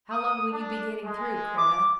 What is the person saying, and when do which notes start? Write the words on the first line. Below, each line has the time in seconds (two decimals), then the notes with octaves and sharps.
"How long will you be getting through, Kreta?"
0.11 D#6
0.51 D4
1.03 G#3
1.56 D6